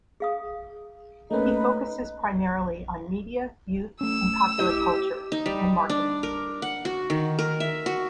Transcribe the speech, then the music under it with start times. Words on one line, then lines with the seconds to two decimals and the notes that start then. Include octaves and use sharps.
He focuses primarily on media, youth and popular culture, and marketing.
0.20 G#4 F5 D#6
1.31 A3 A#3 C#4 D#4 B4
4.01 A3 C#4 E6
4.59 E4 G4 C5 D#5
5.32 D#4
5.46 G3
5.90 D4
6.23 A#4
6.62 F#5
6.85 F#4
7.10 D#3
7.39 A#4
7.60 E5
7.86 F#4